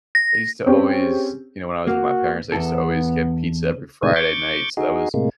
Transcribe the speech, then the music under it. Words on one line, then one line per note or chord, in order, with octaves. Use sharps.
I used to always you know, when I was with my parents, I used to always get pizza every Friday night, so that was
A#6
C4 C#4 G4 G#4
A#3 F#4
E2 G2 B3 A4
A2 C3 D#3 G#3 G#5
C#6 D6 G6 A6
D#4 F#4 G#4
A2 C3 G#3 A#3